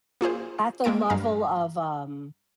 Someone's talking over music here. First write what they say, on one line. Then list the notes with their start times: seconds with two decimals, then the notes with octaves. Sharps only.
At the level of, um,
0.21 A#3 F4 G#4 C5
0.84 G#3 A#3 C4 A5 D7
1.10 G2 F5 A#5